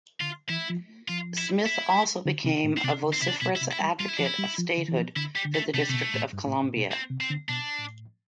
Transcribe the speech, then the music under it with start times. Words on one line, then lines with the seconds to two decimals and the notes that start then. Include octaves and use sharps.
Smith also became a vociferous advocate of statehood for the District of Columbia.
0.21 D3 F4
0.50 E3 E4
0.70 F3
1.08 F3 F4
1.38 E4
1.66 E4
2.26 D3
2.44 C3
2.64 A2
2.77 C4
2.83 C3 D4
3.03 D3
3.13 C4
3.22 C3 E4
3.28 D4
3.41 B2 E4
3.56 E4
3.61 C3
3.71 E4
3.80 G3
3.99 G3 F4
4.08 E4
4.17 F3 D4
4.24 E4
4.39 G3
4.58 F3
4.77 D3
4.88 E3
4.97 F3
5.16 D3 E4
5.36 G3
5.45 D3
5.55 A3
5.74 C3 A3
5.82 G3
5.89 C3 A3
5.94 B2
6.14 A2
6.33 G2
6.47 A2
6.63 A2
6.76 B2
6.92 C4
7.10 C3
7.21 C4
7.30 D3
7.49 B2 D4
7.78 A2